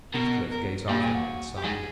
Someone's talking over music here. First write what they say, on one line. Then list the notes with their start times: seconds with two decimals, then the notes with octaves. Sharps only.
Heathcliff gazed after him, and sighed.
0.14 B2 A#4
0.51 A#4
0.89 A#2 G4
1.01 G#4
1.14 F#4
1.57 G4
1.64 G#2 G#4